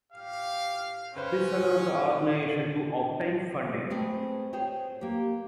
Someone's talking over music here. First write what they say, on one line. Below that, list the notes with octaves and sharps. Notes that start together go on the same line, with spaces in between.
This allowed the organisation to obtain funding.
G4 F5
C#3 C#4 B4 C5
G#3 A3 C4 G#4 B4
G#4 C5 C#5 G5
A#3 G4